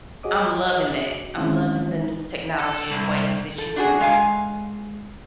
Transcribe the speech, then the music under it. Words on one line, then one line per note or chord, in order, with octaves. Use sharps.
I'm loving that. I'm loving the new technology of ways that you can
F#4 G#4 C#5 D#5 D6 D#6
D#3 G#3 C4 C#4 E4
A4
C2
A4
D4 F#4 G#4
G#3 F5 G#5